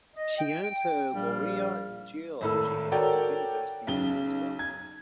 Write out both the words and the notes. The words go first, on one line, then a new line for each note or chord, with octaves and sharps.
She earned her laurea in geology at the University of Pisa.
D#5
G5
A#1 G3 F5
G#1 A2 A4 E6
F#4 A4 A#4 C#5 D5 G5
B1 C#3 G7
G#6